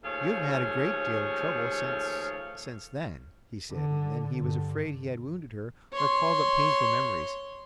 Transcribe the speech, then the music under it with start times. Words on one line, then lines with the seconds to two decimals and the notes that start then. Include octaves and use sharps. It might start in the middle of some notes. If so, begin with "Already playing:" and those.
"You have had a great deal of trouble since--since--then," he said, and then he was afraid he had wounded her, or called up painful memories.
0.04 D#2 F3 A3 G#4 C#5 F5
3.71 D3
4.33 G2 D3
5.92 C#5 C6